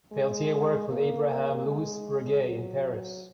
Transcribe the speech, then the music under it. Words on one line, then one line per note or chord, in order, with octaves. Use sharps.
Peltier worked with Abraham Louis Breguet in Paris.
G#3
A#3
G#3
F#3